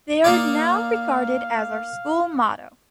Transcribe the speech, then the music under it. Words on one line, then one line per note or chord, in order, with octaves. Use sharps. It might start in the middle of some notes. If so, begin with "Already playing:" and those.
They are now regarded as our school motto.
A#3 D#4 D5 F5